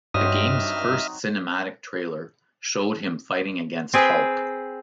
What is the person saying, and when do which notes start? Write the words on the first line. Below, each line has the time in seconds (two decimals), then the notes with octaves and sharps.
The game's first cinematic trailer showed him fighting against Hulk.
0.14 G2 F#3 C4 D#4 D#5 E5 D#6 F6
3.93 C4 G#4 B4